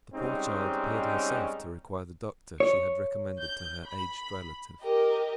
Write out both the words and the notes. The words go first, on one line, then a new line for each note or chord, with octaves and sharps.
The poor child appeared herself to require the doctor she had recommended to her aged relative.
G#2 G3 C4 C#4 D#4
C#5
G6
B5
G4 A#4 D#5